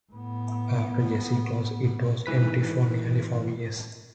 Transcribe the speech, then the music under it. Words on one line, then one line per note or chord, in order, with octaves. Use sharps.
After Jazzy closed, it was empty for nearly five years.
A2 B3
G#2 E3 B4 B6